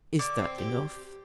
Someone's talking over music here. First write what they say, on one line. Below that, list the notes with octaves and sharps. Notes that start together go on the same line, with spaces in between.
"Is that enough?"
D3 D6
C4
G4